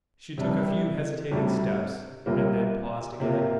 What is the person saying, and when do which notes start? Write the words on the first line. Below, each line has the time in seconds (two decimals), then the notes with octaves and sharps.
She took a few hesitating steps and then paused again.
0.38 C3 G3 D4
1.31 D2 C3 G3 D4
2.26 C2 C3 A#3 F4
3.20 C3 A#3 F4